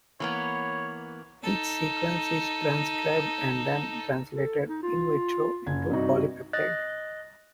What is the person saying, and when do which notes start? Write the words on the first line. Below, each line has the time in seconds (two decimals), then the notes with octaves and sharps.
Each sequence is transcribed, and then translated "in vitro" into polypeptide.
0.20 E3 A#3 B3 C#5
1.44 D#4 A4
4.35 A4
4.69 D#4
4.83 F4
5.66 F#1 G#6
5.90 G2 C3 D#4 F#4
6.53 D#5 F#6 A6